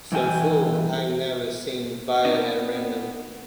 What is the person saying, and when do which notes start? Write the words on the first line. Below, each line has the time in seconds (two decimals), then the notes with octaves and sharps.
Some fool I'd never seen fired at random.
0.12 G2 E3 E4 G5 G#5
2.25 B3 C4 D4 D#4 D#5